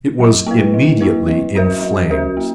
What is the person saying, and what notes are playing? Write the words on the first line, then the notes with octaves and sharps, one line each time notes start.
It was immediately in flames.
F#3
A#3 E4 B4
F#3
A#3 E4 B4
F#3
C#4 F#4 A#4 E5
F#3
C#4 F#4 A#4 E5
A#3